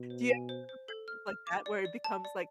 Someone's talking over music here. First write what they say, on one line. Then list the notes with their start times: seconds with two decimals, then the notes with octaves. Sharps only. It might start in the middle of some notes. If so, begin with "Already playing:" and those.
Do you have some friendship like that, where it becomes, like,
Already playing: B2
0.10 C5
0.30 G#5
0.49 C5
0.69 C5
0.88 A4
1.08 F6
1.27 F6
1.47 D6
1.66 D5
1.85 D5
2.04 A5
2.25 D5